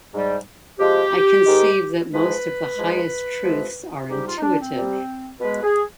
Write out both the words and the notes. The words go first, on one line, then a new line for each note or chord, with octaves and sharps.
I conceive that most of the highest truths are intuitive.
G#2 G3
C3 F3 G#3 G4
G#2 D#3 G#3
G#2 F3 G#3 B4
G#2 F3 G#3
C3 F3 G#3
G#2 G3 G4
F4
D#4
D4
C4
C3 G3
B2 G#3 B4
G#4